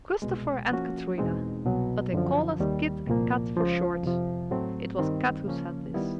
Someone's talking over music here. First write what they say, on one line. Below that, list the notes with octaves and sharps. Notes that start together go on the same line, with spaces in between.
"Christopher and Katrina, but they call us Kit and Kat for short." It was Kat who said this.
C2 B2 G#3
F3 A#3 C#4 F#4
E2 B2 G#3 C4 D#4
C2 B2 F#3
F#2 D3 F3
D#2 D#3 G3
C2 A#2 F3 A#3
C#2 C#3 F3
F2 C3 F3
A2 F#3 A3 C4
G2 D#3 G3 C4
C#3 F3 A#3 C#4
D#3 G3 B3 E4